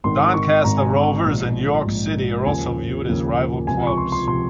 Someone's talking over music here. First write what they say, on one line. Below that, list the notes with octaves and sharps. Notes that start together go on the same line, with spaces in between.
Doncaster Rovers and York City are also viewed as rival clubs.
G#1 G#2 D#3 C6
C#6
G#1 G#2 D#3 A#5
G#5
A#5
A#1 G#2 F3
A#1 G#2 F3
D#2 C#3 F3 G#5
D#2 C#3 F3
C#2 C3 F3 G#5
C#6
C6
C6
C3 F3 C6